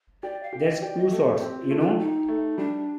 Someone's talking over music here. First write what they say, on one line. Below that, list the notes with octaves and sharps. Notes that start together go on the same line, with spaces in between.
There's two sorts, you know.
G4 D5
F5
G4
D#5
G4 D5
D#5
A3 D#5
A4
C4 G4
F4
A3
F4
D#4 G4
A3
G3 D4